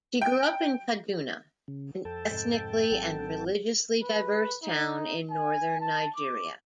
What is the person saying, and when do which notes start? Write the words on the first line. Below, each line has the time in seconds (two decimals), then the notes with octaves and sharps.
She grew up in Kaduna, an ethnically and religiously diverse town in northern Nigeria.
0.21 G5
1.68 C#3
2.05 F2 A4 G5 A5
2.30 F2 G#2 C3
2.90 G#1 F#3 C4
4.03 B4
4.63 D#4
5.30 G#5
5.81 A5
6.16 D6